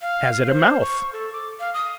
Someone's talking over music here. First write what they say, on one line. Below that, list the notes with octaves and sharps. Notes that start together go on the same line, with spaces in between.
Has it a mouth?
F5
C5
C#6
A4
D6
F5
D#6